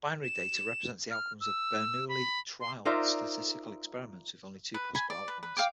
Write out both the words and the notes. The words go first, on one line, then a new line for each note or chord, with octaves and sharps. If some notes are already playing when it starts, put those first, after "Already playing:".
Binary data represents the outcomes of Bernoulli trials-statistical experiments with only two possible outcomes.
E7
F6
E6
B5
C6
D#4 F4 A#4 C5 D5 E5
B4
G#5 B5
D5
B4
B4
F5 G5 D6